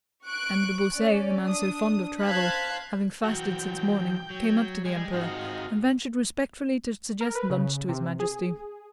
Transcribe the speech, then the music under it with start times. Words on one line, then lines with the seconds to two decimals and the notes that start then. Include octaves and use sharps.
M. de Beausset, the man so fond of travel, having fasted since morning, came up to the Emperor and ventured respectfully to suggest lunch to His Majesty.
0.25 C#6 F#6 D7
0.94 C#4 D5
1.43 D4 D#6
2.20 C5 F5 A5 F#6 G#6 B6
3.24 E3 F#3 F#4 G5
4.30 F#3
4.85 G3 G#3 G#4
5.13 G#2 C4 D#4 F4 F#4
7.21 A#4
7.35 B4
7.50 C#3
7.89 C3
8.20 G#4